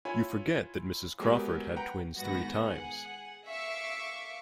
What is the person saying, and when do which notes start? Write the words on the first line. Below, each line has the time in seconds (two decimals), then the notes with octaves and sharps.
You forget that Mrs. Crawford had twins three times.
0.05 E4 F4 C#5 G#5 B5
1.20 F#3 G#3 B3 G4 A#4
1.76 B4 F#5 G5 A#5
2.15 G#2 D#3 B3 F#4 A#6
2.64 G#4 F#5
3.46 E5 F5 C#6 D6